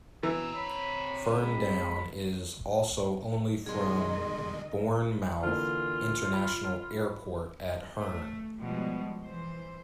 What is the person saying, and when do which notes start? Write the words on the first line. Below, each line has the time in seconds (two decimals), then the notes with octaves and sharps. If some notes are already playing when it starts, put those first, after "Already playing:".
Ferndown is also only from Bournemouth International Airport at Hurn.
0.23 B2 E3 C4 A#5 E6
0.54 C#5 B5
1.41 G#3 B5
3.66 B2 D#3 G3 G#3 G#4 D#5 C6
5.43 D3 E3 A#3 F4
6.33 B5
7.95 A3
8.59 B2 F3 G3 G#3
9.23 E3 C5